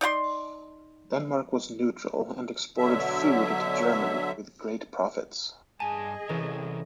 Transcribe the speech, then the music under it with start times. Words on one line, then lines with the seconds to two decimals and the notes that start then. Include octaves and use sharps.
Denmark was neutral and exported food to Germany with great profits.
0.01 D#4 D5 F#5 C6
2.77 B2 D3 F#3 E5
5.80 G2 G#4 D#5 G#5 A5
6.29 C3 E3 C#4 E4 A4 A#4